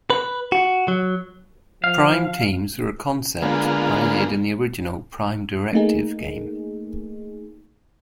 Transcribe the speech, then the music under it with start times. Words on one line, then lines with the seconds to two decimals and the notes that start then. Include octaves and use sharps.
Prime Teams were a concept pioneered in the original "Prime Directive" game.
0.10 B4
0.52 F#4
0.88 F#3
1.84 F3 F5
3.42 D3 G#3 A#3 B3 F4
5.73 A3 A#3 D#4 G#4